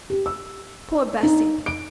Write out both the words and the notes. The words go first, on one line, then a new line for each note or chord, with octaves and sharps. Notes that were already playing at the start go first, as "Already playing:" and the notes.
'Poor Bessy!
G4
E6
D#4
D7